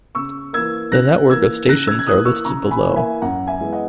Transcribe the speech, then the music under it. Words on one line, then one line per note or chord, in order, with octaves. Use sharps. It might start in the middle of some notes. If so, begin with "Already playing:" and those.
The network of stations are listed below.
C#3 C#6 E6
E3 A#3 E6 G#6
C#3 F#6 A#6
E3 A#3 E6 G#6
C#3 F#6 A#6
E6 G#6
G#6
E3 A#3 D#6 F#6
C#6 E6
C#3 A#5 C#6
G#5 B5
E3
A#3
E5 G#5
F#2 F#5 A#5
E5 G#5
E3 G#3 B3
D#5 F#5